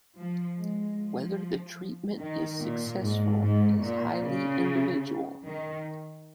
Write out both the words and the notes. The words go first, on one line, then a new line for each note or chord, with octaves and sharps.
Whether the treatment is successful is highly individual.
F3
G#3
F3
D#3
A#2
G#2
G#2
A#2
C#3
D#3